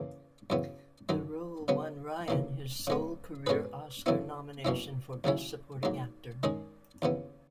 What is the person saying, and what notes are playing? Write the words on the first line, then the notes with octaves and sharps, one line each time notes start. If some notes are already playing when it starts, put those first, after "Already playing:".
The role won Ryan his sole career Oscar nomination, for Best Supporting Actor.
Already playing: E2 C#3 E3 A#3
F#2 C#3 E3 B3
F#2 D#3 F#3
C#3 F#3 B3
D#2 C#3 E3 A#3
C#3 G#3 B3
B2 G#3 C#4 G#4 B4
F#2 C#3 E3 B3 E4
B2 F#3 A#3 C#4 E4
D#2 C#3 F#3 C#4 E4
G#2 F#3 A#3
D#3 G#3 C#4 G#4
D#2 C#3 E3 B3